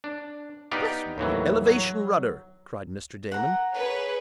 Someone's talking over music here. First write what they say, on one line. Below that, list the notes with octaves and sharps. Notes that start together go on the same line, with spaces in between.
"Bless my elevation rudder!" cried Mr. Damon.
D4
B3 D#4 G4 D5 F5
D#2 A2 E3 F#3
F#3
F#5 A#5
G#4 B4 C#5